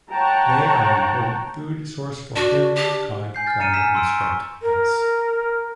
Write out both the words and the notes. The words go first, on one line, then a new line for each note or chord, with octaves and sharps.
They are an important food source for herring, cod, flounder, and striped bass.
C#5 F#5 G5 A5 A#5
D4 F#4
G4
G#5 G6 C7
F6 A6
A#5 F6 A6 C#7 D#7
G#5 E6 A6 B6 C#7 E7
C6 E6 D7
C#6
A#4